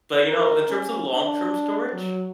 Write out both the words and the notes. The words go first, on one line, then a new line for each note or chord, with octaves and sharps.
But, you know, in terms of long-term storage,
A#4
C#4
D4
F#3